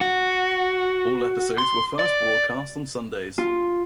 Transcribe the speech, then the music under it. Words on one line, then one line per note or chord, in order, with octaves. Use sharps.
All episodes were first broadcast on Sundays.
F#4
C6
D5
F4